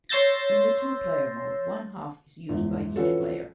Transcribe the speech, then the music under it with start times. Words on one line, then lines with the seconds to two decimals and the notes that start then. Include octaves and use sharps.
In the two-player mode one half is used by each player.
0.09 C#5 C6 E6 G6 A6 A#6
2.49 G1 E2 G#2
2.96 E3 F3 C#4 F#4 A4